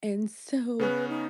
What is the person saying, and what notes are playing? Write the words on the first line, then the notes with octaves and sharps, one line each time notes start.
And so
C#3 B3 C#4 B4
D#4